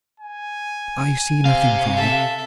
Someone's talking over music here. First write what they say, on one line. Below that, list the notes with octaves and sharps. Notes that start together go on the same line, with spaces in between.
"I see nothing, father."
G#5
C3 C4 F5
A4 E5